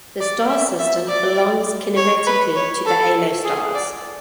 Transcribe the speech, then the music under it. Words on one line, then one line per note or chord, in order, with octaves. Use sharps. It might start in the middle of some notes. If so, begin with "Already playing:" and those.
The star system belongs kinematically to the halo stars.
D5
E5
E5
D5
C#5
B4
C#5
A4
G#4
D5